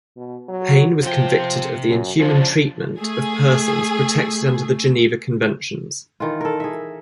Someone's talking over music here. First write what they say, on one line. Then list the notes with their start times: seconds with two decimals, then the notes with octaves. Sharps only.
Payne was convicted of the inhuman treatment of persons protected under the Geneva Conventions.
0.16 B2
0.49 F#3
1.03 C3 F3 G5
1.89 F#2
2.20 C#3 F3 C#4 D4
3.00 A3 G#4
6.20 D#3 E3 F4
6.41 A4 A#4
6.60 G#4 E5